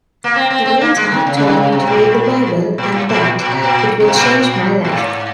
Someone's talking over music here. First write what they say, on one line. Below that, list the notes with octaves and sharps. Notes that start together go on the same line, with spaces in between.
Donita told me to read the Bible and that it will change my life.
A#3
C4
C4
C4
A#3
G#3
D#3
C#3
C#3
D#3
C#3
C3
A#2
A#2
G#2
A#2
A#2
C3
A#2
C3
G#2
A#2
A#2
G#2